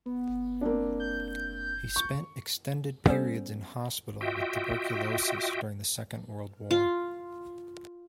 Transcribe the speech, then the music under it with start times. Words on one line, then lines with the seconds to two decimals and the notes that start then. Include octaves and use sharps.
He spent extended periods in hospital with tuberculosis during the Second World War.
0.06 B3
0.61 A#3 C4 D4
1.00 G6
1.96 C#6
3.08 G3 B3 C#4 A4 C5
4.21 F4 F#4 D#5 E5 G5
6.71 F4